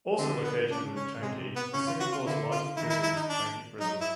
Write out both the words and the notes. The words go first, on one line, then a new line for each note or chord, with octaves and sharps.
Also located within Changi is Singapore's largest prison, Changi Prison.
D3 C4
B3
C#3 D4
C#4
C3 G#3
B3
C#3 C#4
F4
F#4
F4
D3 E4
F4
D#3 E4
E4
E4
D#4
D4
F#3 D#4
E4